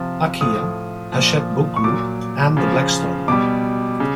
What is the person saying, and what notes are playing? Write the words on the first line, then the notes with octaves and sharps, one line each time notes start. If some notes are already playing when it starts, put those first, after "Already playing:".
Acquia, Hachette Book Group and The Blackstone Group.
Already playing: C3 F3
A2 F3 D#6
A#2 F3
C#6
A#2 F#3 D6
C#3 F3
B2 G3 D6
C#3